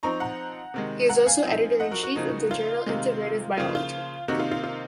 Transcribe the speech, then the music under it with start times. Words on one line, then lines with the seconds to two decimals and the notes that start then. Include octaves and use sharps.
He is also editor in chief of the journal "Integrative Biology".
0.03 F3 C4 D#4 A#5 C#6
0.20 F#5 A#5
0.74 C3 D#3 G#3
1.09 F#5 A#5
1.27 F5 G#5
1.45 F3 C4 D#4
1.80 D#5 F#5
1.91 F#4 A#4
2.03 F#4
2.16 C#3 F3 A#3 D#4
2.51 F4
2.87 C3 D#3 G#3
3.57 C#3 F3 A#3 F4
3.75 F4
4.28 C3 D#3 A#3 D#4 F#4
4.39 F4
4.51 F4
4.63 F4